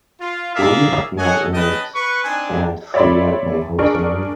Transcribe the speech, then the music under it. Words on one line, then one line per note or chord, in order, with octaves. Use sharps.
Will you pick me up in it at three at my hotel?
F4
G#4 A#4 D5 E5 F5
G#4 A4 C#5 D#5 F#5 G#5
C#4 B4 D#5 G5 A5 D#6
B4 C#6
C4 D4 D#4 G#5
C#5 D5 E5 B5 C6
D4 G#4 A#4 C#6